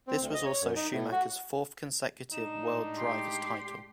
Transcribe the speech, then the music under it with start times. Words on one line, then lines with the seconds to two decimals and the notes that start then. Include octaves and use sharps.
This was also Schumacher's fourth consecutive World Driver's title.
0.08 C4
0.20 D2
0.34 D#5
0.45 C#5
0.61 F#2
0.76 D#4
0.92 A2
1.12 F#4
2.33 A2 G#3 D4 D#4 E7
2.97 G4 C6